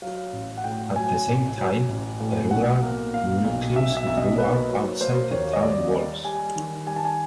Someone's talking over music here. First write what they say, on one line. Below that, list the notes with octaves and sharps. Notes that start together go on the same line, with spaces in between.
At the same time, a rural nucleus grew up outside the town walls.
F#3 F5
A1
F#5
A2 G5
F#3 G#5
A1
F#3
A1
A2
B1 F#5
A#3
A#2 F5
B1
B1 E5
E5
B1
D#5
A#3 B4
F#3
A#3 C5
D#2 C#5
D#5
G3 D5
G3
G3 G#5
D#3
G3 G#5
A5
G#5